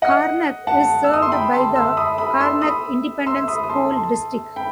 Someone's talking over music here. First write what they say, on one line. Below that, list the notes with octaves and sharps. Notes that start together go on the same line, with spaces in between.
Karnack is served by the Karnack Independent School District.
D#5 F#5
F#5 A5
E6
D#6
C6
G5 B5
A5 C6
C6 E6
B5 D#6
B5 D#6
C6 E6
B5 D#6
C6 E6
B5 D#6
D#6
A5 C6
A5 C6
G5 B5